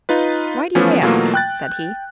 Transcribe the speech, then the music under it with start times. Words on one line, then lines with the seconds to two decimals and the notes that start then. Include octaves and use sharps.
"Why do you ask!" said he.
0.09 D#4 F4 B4
0.75 E3 F3 A3 B3 C#4
1.02 B2 E3 F#3 A3 A#3 F4
1.34 G5 F#6 A6